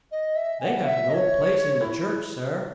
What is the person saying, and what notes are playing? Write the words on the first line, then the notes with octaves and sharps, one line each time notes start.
They have no place in the church, sir!
D#5
E5
G#5
F#5
E5
D#5
C#5
E4